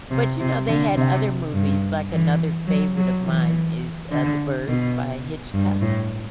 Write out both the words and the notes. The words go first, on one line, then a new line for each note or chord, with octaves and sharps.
But you know, they had other movies, like another favorite of mine is, uh, The Birds by Hitchcock.
C3
C3
D3
C3
G2
E3
F#3
F#3
E3
D3
B2
G2
A2